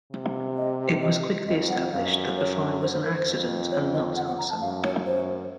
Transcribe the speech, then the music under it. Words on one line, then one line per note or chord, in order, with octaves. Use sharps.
It was quickly established that the fire was an accident and not arson.
C3
D#5
D#5
F2 D#5
F#5
F#2 F5
C#5
C5
C5
A#4
C5
F2
C#5
D#5
F#5
F#5
A#5
A5
F#2 F5
C#5
F#2 C5